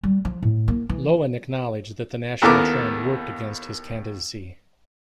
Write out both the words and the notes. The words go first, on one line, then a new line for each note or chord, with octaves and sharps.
Loewen acknowledged that the national trend worked against his candidacy.
G3
F3
A2
A#3
E3
D#2 B3 E4 A4 A#4 D6